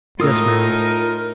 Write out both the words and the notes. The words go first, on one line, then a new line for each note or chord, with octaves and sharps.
'Yes, ma'am.
A2 D#4 F4 A#4 D#6 E6